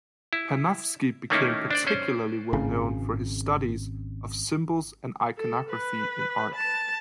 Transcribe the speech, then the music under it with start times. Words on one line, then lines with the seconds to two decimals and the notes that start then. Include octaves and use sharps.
Panofsky became particularly well known for his studies of symbols and iconography in art.
0.33 E4
1.30 D#3 A3 A#3 C#4 D#4 E4
1.71 D4 C5 D5
1.87 C#4 C5
2.53 G#1 C#3
5.37 A4
5.69 B4
6.55 A5